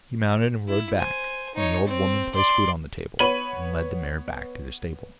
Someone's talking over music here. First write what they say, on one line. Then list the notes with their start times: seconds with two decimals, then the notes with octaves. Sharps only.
He mounted and rode back, and the old woman placed food on the table, and led the mare back to the stable.
0.68 E4
0.97 C5 G#5
1.55 D#4 C#5
1.86 C4
2.35 D5 C6
3.19 B3 C#5 B5 D#7 F#7